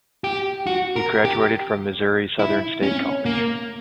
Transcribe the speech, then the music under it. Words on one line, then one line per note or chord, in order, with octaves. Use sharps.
He graduated from Missouri Southern State College.
G4
F#4
A#4
G4
E4
C#4
A#3